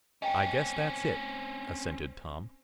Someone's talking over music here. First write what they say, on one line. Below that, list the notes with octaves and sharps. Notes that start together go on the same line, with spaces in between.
"I guess that's it," assented Tom.
C4 C#4 D#5 G5 A#5